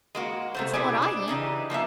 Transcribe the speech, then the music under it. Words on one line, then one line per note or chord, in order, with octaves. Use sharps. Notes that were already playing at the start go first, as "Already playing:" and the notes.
"It's what I eat."
G#3 A#3 F#4
C3 A3 C5
B2 G3 E4 G#4 D5 G#5
D4
C#3 E3 D#4 G4
F3 A#3 B3 E5